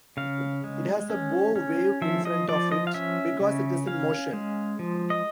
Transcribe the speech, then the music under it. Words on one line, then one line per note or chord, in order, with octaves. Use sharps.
It has a bow wave in front of it because it is in motion.
C#3 F5
G#3
C#4
C#4
F3 E5
D#5
F3 D5
D#5
F5
C#4 E5
C#3
C#4 F5
G#3
F3
D#5